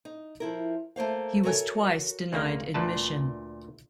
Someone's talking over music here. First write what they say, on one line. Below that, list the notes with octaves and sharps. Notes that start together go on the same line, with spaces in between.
He was twice denied admission.
D#4
F3 E4 A#4
A3 A#3 C5 F5
F#4 A4 A#4 C#5 G#5
D2 C#3 A#3
D2 A#2 B4 A5